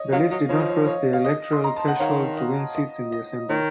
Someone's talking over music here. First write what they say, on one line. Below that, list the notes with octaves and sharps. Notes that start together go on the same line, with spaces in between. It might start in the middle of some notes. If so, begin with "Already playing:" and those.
The list did not cross the electoral threshold to win seats in the assembly.
Already playing: C#5 D#5
F#3 C#5 F5
F#3 D#5
F3 C#5
D#5
C#5
C#5
F5
D#5
C6
A#5
A5
F#5
D#3 C#5 F5
D#5
D#5
D#5
D#3 C#5